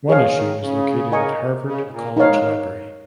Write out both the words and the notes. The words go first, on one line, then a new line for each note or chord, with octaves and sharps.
One issue is located at Harvard College Library.
F3 G#4 C#5 F5
D#3
C#3
A#4 D#5 G#5 C#6
C#3
G#2
A#2
F3 D#4 A#4 C#5 F5
G#3
D#3